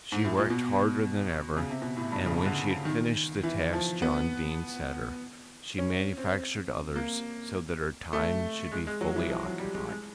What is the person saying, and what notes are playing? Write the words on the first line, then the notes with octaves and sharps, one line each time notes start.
She worked harder than ever and, when she had finished the tasks John Dene set her, she manufactured others so that her time should be fully occupied.
G#2
A2
A#2
B2
C#3
C3
B2
A2
G2
C#3
D3
D#3
E3
F3
B3
C#4
C4
A#3
A3
G#3
G#3
F#3
E3
F3
F#3
G3
G#3
G#3